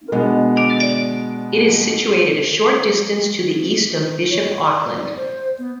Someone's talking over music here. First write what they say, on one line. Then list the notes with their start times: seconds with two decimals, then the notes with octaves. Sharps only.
It is situated a short distance to the east of Bishop Auckland.
0.12 B2 G#3 B3 D4
4.30 C#5
4.66 D5
5.16 C5
5.59 B3